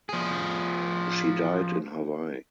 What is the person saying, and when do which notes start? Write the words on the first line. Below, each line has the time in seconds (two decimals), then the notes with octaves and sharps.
She died in Hawaii.
0.09 F3 G#4